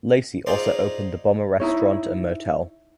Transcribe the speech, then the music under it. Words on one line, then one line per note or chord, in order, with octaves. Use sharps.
Lacey also opened the Bomber Restaurant and motel.
D#4 F4 G#4 C5 D5 C6
D#4 E4 C#5